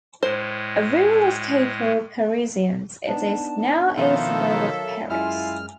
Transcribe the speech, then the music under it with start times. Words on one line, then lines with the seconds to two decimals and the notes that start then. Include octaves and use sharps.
A rural escape for Parisians, it is now a suburb of Paris.
0.23 A2 G#3 C5
3.07 B3 D4 D#4 A5
3.97 B2 D#3 F3 A4 E5 F5
4.54 F#3 A#4 C#5
5.10 F#2 G#3 E4 F4 G#5 F6